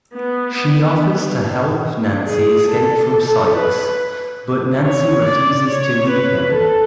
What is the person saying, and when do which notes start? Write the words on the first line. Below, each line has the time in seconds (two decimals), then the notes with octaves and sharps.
She offers to help Nancy escape from Sikes, but Nancy refuses to leave him.
0.14 B3
0.55 B3
2.27 G#4
2.69 A4
3.55 B4
4.83 C#5
5.25 D5
5.68 C#5
6.10 B4
6.53 A4